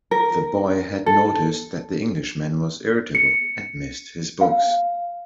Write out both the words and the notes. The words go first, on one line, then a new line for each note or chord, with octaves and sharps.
The boy had noticed that the Englishman was irritable, and missed his books.
A#4
A4
C#7
F5